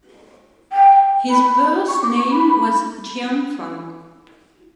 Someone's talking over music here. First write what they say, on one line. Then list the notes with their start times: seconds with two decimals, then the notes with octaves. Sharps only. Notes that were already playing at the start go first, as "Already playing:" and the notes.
His birth name was Jiang Fang.
0.73 G5
1.30 B5
1.88 C#6
2.03 D6
2.17 C#6
2.31 B5